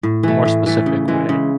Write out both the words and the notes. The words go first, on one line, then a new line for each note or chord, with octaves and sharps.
more specific way?
A2
E3 A3
A2
E3 A3
C#3
E3 G#3
C#3